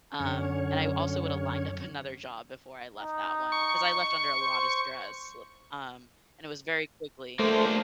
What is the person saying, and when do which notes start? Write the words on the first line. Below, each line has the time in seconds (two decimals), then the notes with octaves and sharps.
um, and I w also would've lined up another job before I left that one, uh 'cause I left under a lot of stress, um, and it was very quickly
0.20 F#2 D3 C#4 C#5
2.97 D#4
3.52 C#6
4.41 C5
7.39 A3 A#3 D4 C5